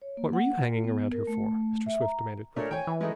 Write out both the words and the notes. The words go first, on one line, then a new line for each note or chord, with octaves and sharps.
"What were you hanging around here for?" Mr. Swift demanded quickly.
C#5
A#3
F#5
F4
B3
A#4
A3
E5
A#5
A#2 A3 D4 A#4 C#5
C#5 G5 G#5
E3
G#3 A3 D#4 E4